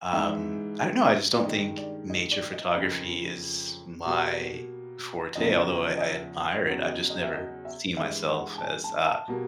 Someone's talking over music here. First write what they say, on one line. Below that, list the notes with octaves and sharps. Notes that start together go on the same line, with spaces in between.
Um, I don't know, I just don't think nature photography is my forte, although I I admire it. I've just never seen myself as, uh,
G#2 E3 G#3 E5
D5
G2 D#3 G#3 D#5
D5
D#5
D5
D#5
F2 C#3 F3 A#3
B2 G3 A#3 D5
E2 C#3 F3 D#5
D#5
E5
E2 C#3 F#3
D#5
D#5
E5
D#5
E5
G2 E3 G#3 E5
F#5
A5
G#5
A5
A5
B2 G3 A#3